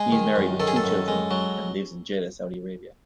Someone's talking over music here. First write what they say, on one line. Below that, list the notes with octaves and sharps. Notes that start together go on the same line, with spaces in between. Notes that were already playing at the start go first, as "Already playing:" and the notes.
He is married, with two children, and lives in Jeddah, Saudi Arabia.
Already playing: G#3 G#4
D#3
F#2
D#3 A4
G#4
A4
F#2
G#3
F#3